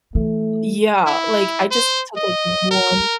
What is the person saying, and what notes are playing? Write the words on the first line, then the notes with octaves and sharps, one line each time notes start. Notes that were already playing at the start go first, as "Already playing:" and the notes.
yeah. Like, I just took, like, one
E3 A3
E4
C5
D#5
A#4